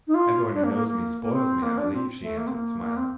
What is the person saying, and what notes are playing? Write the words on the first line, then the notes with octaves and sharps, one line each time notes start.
'Everyone who knows me, spoils me, I believe,' she answered, smiling.
D#4
F4
D4
A#3
A#3
A#3
A#3
C4
A#3
D4
C4
A3
A#3
C4
A#3
A#3
C4